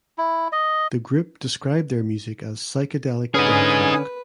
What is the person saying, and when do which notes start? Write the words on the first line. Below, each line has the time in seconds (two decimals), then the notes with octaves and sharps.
The group described their music as "Psychedelic Death Rock".
0.18 E4
0.52 D#5
3.34 D3 C#4 D#4 G#4 B4 G#5 D#6